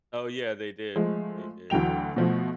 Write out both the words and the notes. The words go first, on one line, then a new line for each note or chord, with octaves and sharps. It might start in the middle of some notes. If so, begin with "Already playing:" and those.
Oh, yeah. They did, they did, if
F3 G#3 A3
D2 E3 F#3 G5 F7
B2 F3 A3